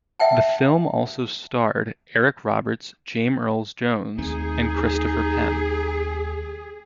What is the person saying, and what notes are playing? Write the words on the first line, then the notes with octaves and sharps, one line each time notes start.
The film also starred Eric Roberts, James Earl Jones and Christopher Penn.
E5 F#5 G5 A5
D#2 A3 C4 D#4 G#4